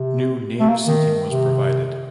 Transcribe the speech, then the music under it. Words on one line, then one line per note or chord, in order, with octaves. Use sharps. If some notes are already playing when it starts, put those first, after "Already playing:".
New nave seating was provided.
Already playing: C3
A3
A#3
D#3
C3